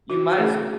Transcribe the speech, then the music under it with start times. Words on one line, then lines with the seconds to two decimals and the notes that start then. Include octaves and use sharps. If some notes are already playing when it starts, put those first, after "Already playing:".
you might as well
0.10 E3 F#4
0.37 A3 C#4 G#4